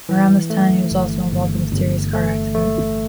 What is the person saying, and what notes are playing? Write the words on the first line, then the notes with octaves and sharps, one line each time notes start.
Around this time he was also involved in a serious car accident.
E3
A3
G1
G1
G1
A3
A3